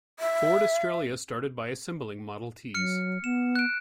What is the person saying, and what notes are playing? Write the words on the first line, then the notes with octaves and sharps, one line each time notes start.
Ford Australia started by assembling Model Ts.
E5
F#3 F6 C#7
B3 E7
F#6 D7